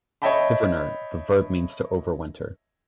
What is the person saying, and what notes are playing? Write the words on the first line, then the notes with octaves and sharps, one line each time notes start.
"Hiverner" the verb means to overwinter.
C#5 D#5 E5 G5 A5 B5